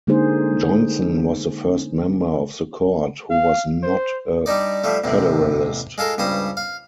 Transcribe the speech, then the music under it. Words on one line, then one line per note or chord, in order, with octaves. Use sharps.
Johnson was the first member of the Court who was not a Federalist.
D3 G#3 A#3 D#4 G#4 C5
F5
C5
G3 D4 D#4 D5
F3 G3 A3
A1 E2 A2 C3
G#3 F4 A4 A#4
C#2 G2 G3 C5 D#6
F5